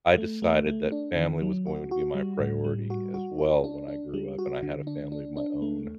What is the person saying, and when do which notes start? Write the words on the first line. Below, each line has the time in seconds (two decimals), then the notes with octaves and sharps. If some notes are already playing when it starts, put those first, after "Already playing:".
I decided that family was going to be my priority as well when I grew up and I had a family of my own.
0.18 A3
0.42 A3
0.67 A3
0.92 D4
1.16 D#3
1.42 F#3
1.66 F#4
1.91 F#4
2.15 G3
2.40 A2
2.64 G3
2.90 F#4
3.14 F#4
3.38 F#4
3.64 D4
3.88 D4
4.14 G3
4.38 F#4
4.62 D3
4.87 D4
5.12 D4
5.37 D4
5.62 A3